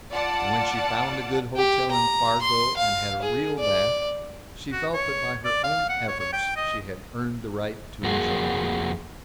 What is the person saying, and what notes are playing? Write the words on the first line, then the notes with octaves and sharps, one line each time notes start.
And when she found a good hotel in Fargo and had a real bath, she felt that by her own efforts she had earned the right to enjoy it.
F4 D5 F#5 A5
G4
A#5
C6
F5
G#4
D5
F#4
C#5
D5
F5
F#5
C#5
C#5
G5
D#5
F2 A#3 F#4 G#4